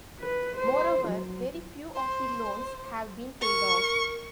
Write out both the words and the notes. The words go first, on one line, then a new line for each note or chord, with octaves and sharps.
Moreover, very few of the loans have been paid off.
B4
C5
F#3
C5
A#4 C#6